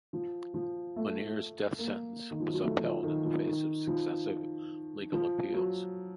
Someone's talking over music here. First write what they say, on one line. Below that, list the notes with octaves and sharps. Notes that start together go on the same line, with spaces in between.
Munir's death sentence was upheld in the face of successive legal appeals.
F3
F3
A3
A#3
D#3
F3
F#3
A3
F3
D#3
F3
D#3
F3
F3
F#3